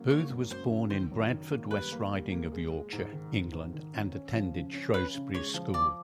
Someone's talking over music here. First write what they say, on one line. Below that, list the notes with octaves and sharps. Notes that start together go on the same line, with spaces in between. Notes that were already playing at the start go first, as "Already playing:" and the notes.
Booth was born in Bradford, West Riding of Yorkshire, England and attended Shrewsbury School.
Already playing: C#3 F#3 A#3
A#3 C#5
F#2
F#2 C5
C#3
D#3 C5
F#2
D#3
A#3
G3 B4
A#3
G3
A#3
G#3
G#3
G#2
D#3
G#2
G#2
D#3
C#4
C#4
F3
C#3
C#4
C#4 B4
C#3
G#3 C#5
F3
F3 D5